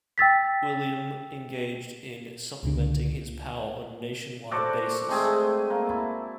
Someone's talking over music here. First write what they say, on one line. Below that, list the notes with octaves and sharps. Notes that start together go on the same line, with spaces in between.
Uilleam engaged in supplementing his power on a nationwide basis.
G5 E6 A6 B6
C#2 A#2 D3
F#4 A4 C5 D5
G#3 A3 C4 G#4
A#3
E4 A5